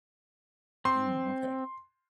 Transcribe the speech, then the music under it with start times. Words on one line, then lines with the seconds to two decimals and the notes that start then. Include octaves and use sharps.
Mm, okay.
0.85 C4 C6